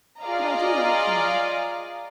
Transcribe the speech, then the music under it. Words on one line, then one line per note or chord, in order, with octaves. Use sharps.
But I do like the man.
F4 G#4 D5 D#5 F5 A#5